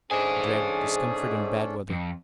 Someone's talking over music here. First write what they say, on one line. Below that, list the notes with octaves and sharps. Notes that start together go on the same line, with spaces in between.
I dread discomfort and bad weather.
G#2 C#4 D4 G#4 A4 E5 G#5
F2